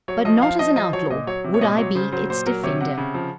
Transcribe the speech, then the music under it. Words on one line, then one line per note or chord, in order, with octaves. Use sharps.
But not as an outlaw, would I be its defender.
F#3 C#5
F3 D#5
F3 F5
F3 D#5
F3 D#5
F#3 C#5
A#2 D#5
F#3 C#5
C3
C#5
A#2 D#5
F#3 C#5
C#3 C5
F#3 C5
A#2 C5
F#3 A#4
C3 C#5
C3 F#5
C#3
F3